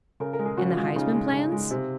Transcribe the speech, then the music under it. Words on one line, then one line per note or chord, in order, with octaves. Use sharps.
And the Huysman plans?
C#3 A#4
A#4
G#3
G#4
C#3 F#4
F4
G#3
F4
C#3 D#4
G#3
C#3
G#3
C3